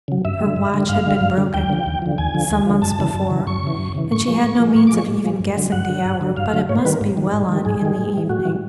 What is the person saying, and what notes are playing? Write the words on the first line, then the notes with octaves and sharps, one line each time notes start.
Her watch had been broken some months before, and she had no means of even guessing the hour, but it must be well on in the evening.
C#3 F#3
G2 E5
D3 G3
G2
D3 G3
G2 F5
D3 G3
G2
D3 G3
D#2 G5
D3 F3
D#2
D3 F3
D#2 G#5
D3 F3
D#2
D3 F3
F#2 A5
C#3 E3
F#2
C#3 E3
F#2 C#6
C#3 E3
F#2
C#3 E3
A2 C#6
F3 G#3
A2
F3 G#3
A2 C#6
D6
F3 G#3 C#6
A2
F3 G#3
G2
D3 F#3
G2 F#5
D3 F#3
G2
D3 F#3
G2 F5
D3 F#3
G#2 C#5
C5
D#3 G3 B4
A#4
G#2
D#3 G3
G#2
D#3 G3
G#2 G#4
D#3 G3
A2
E3 G3
A2 F#4
E3 G3